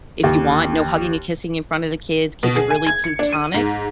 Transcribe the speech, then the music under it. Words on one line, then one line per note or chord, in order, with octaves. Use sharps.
if you want, no hugging and kissing in front of the kids, keep it really platonic
D#2
B2
G#4
G#5
G#6
C#7
D4
D#7
G#2